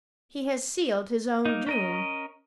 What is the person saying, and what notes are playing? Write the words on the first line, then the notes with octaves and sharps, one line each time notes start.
He has sealed his own doom.
A#3 D#4
C#4 A#4 D#5